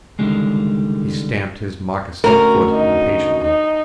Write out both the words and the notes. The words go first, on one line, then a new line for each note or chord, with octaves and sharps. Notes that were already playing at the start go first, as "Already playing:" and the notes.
He stamped his moccasined foot impatiently.
C#2 A#2 D3 D#3 G3 G#3
D2 C#4 F#4 A#4
D#4
D#4